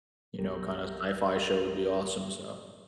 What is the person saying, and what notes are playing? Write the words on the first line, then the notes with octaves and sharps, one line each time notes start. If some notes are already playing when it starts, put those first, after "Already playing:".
you know, kinda sci-fi show would be awesome, so.
B1 G4 A#4